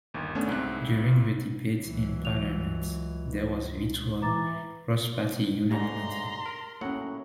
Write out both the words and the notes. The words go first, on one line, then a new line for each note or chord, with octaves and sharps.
During the debates in Parliament, there was virtual cross party unanimity.
G1 D#2
A3 B3 C#4 D4
C2 G#2 C4 F#6
C#2 E3 F#3
F7
E3 A#5 D6 A6
D2 G#2 C#3 G4 A#5 C6
A#4
A2 F#3 A#3 C#4 F#5